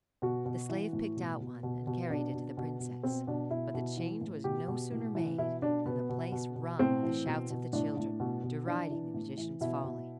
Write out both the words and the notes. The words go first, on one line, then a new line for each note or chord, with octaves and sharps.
The slave picked out one and carried it to the princess; but the change was no sooner made than the place rung with the shouts of the children, deriding the magician's folly.
B2 F#4
B2
E3
A2
B2
B2
B2
B2
B2 D4
B2
B2
B2
B2 C4
B2 D4
B2 E4
B2
E3
A2
B2 G4
B2
A2
E3
B2 E4
B2 D4
B2 B3
B2
B2
B2
A2 C4
E3
B2
B2
A2 D4
A2
B2
B2
E3 D4
E3
A2
E3
B2 E4
B2